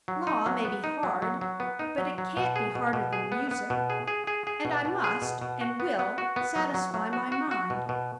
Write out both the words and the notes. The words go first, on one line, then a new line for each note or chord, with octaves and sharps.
Law may be hard, but it can't be harder than music; and I must, and will, satisfy my mind.
F#3
D#4
F#3
B3
D#4
F#3
F#3
F#3
B3
D#4
F#3
F#3
B2
G#4
B2
B2
G#4
B3
B3
B2
G#4
G#4
G#4
G#4
B2
B2
G#4
B2
B2
F#4
B3
B3
F#4
B3
F#3
F#3
F#3
F#4
F#4
F#4
B2
B2